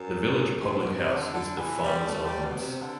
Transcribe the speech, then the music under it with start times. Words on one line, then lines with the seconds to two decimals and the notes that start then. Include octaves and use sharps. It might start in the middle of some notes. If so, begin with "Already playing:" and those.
The village public house is "The Farmer's Arms".
Already playing: F#2
0.60 G2
0.78 B2
0.96 C3
1.15 D3
1.34 D3
1.58 E3
1.83 G3
2.07 A3
2.25 G3
2.45 B2
2.62 C3
2.81 D3